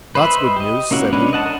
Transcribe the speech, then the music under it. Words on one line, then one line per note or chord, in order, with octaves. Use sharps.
"That's good news!" said he.
B4 C5 D#5 E5 B5
G4 D#5
A#3 C#4 E4 F#4
G#3 C#4 D4 B4
D#5 F#5 A5
D4 A#4